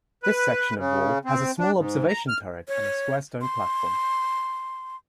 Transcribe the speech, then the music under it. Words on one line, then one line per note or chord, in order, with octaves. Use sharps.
This section of wall has a small observation turret and a square stone platform.
B4
C#3
C4
D4
G#2
A#5
F6
C#5
C6